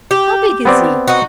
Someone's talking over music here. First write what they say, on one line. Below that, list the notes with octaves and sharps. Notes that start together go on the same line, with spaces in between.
"How big is he?"
G4
B3 C4 D5
D#4 F#4